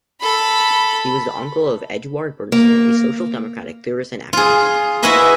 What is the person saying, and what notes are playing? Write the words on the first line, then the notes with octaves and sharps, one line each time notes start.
He was the uncle of Eduard Bernstein, a Social Democratic theorist and activist.
A4 B5
A#3
F4 G#4
E4 F#4 G#4 B4 D#5 E5